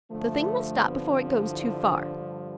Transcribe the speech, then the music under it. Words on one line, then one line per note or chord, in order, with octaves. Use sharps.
The thing must stop before it goes too far.'
G2 D3 F3 A3
B3
C4
E4
D4
G3